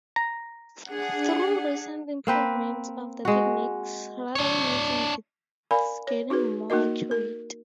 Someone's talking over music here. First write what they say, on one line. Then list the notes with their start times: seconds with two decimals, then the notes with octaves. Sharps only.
Through recent improvements of the techniques, radar imaging is getting more accurate.
0.16 A#5
0.89 D4 G#4 F#5
2.27 A#3 C4 B4
3.25 G#3 F#4
4.35 D4 C#5
5.71 A#4 D5 F5 G#5 B5
6.07 C#5
6.30 D#4 F#4 G#4 B4
6.70 A#3 D#4 F#4 A#4 D#5
7.11 A#4